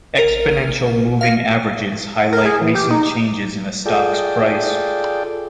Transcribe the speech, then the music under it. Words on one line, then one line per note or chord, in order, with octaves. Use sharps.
Exponential moving averages highlight recent changes in a stock's price.
A#4
F5 A#6
A#4
G#4
E3
G4
D#4
F4 G#4 A4 D5 G5